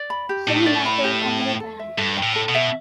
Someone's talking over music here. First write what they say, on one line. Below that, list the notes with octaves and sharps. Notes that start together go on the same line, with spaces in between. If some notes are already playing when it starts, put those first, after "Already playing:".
Soon after, Comedy Bang!
Already playing: D5
B5
G4
A2 D4
D5
B5
G4
A4
G5
A4
E5
G2 A4
G5
A2
A4
B2
E5